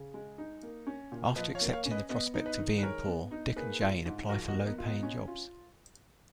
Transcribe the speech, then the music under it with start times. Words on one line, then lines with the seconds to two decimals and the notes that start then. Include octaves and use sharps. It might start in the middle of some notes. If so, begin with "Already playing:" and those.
After accepting the prospect of being poor, Dick and Jane apply for low-paying jobs.
Already playing: C#3
0.14 G#3
0.38 D#4
0.63 A#3
0.87 C#4
1.12 A#2
1.36 F3 B4 D#5
1.55 C#5 F5
1.61 A#3
1.73 C#5 F5
1.86 C#4
1.91 B4 D#5
2.09 B3 B4 D#5
2.34 D#4
2.46 B4 D#5
2.58 D#3
2.78 B4
2.83 G#3 A#4 C#5
3.07 B3
3.31 D#4
3.56 A#3 G#4 B4
3.81 F4
4.06 G#2
4.29 F3 F#4 A#4
4.48 D#4 F#4
4.54 A#3
4.66 B3 D#4
4.78 F4
4.85 B3 D#4
5.03 C#4
5.28 F4